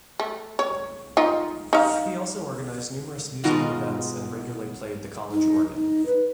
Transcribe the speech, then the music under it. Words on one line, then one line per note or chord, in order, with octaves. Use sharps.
He also organised numerous musical events and regularly played the college organ.
A3
C#5
D#4 F4
D#4 F5
B2 D#3 G#3 D#4 F4 F#4
D#4
D#4
B4